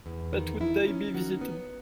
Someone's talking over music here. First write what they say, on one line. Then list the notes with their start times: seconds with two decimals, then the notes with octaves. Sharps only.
But would they be visited?
0.06 E2
0.33 D#3
0.60 D#3 E4
0.88 C#4
1.14 D#3 F#4
1.41 B3